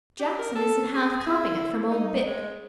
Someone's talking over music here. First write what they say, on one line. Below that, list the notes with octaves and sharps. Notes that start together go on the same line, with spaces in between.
'Jackson isn't half copping it from old Bick.'
G4
A#4
A4
G#4
E4
D#4
G#3